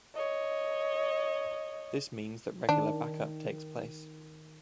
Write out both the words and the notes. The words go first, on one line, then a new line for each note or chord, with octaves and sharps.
This means that regular backup takes place.
C#5 D#5
D#3 D4